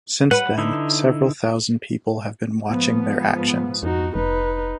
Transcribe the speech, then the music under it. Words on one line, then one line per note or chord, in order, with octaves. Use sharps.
Since then, several thousand people have been watching their actions.
B4 F#5
D3 D#4 E4
G#2 F3 B3
F2 D#4 F#4
F1 D#4 B4